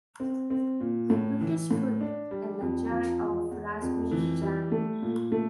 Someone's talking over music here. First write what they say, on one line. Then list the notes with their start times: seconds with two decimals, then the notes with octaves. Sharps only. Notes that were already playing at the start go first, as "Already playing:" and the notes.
He put his foot in a jar of raspberry Jam.
0.20 C4
0.50 C4
0.80 A#2
1.10 A2
1.41 E3
1.71 A2
2.01 D4
2.31 G3
2.61 F2
2.91 F3
3.21 E2
3.51 E2
3.82 F2
4.11 E3
4.42 G3
4.72 A3
5.02 A#2
5.32 A3